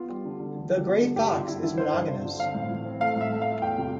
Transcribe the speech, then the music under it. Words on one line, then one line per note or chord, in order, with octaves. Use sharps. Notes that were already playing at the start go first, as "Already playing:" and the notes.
The gray fox is monogamous.
Already playing: B3 F4
G3
D3
D3
D3
G3
B3
D3
G2 G4
G2 F4
D3 E4
D3 E4
D3 C5
G2
G2
D3
C4 F5
A2
E3
C4
A3 F5
A2 E5
A3
F5
A3
E2 G5
C3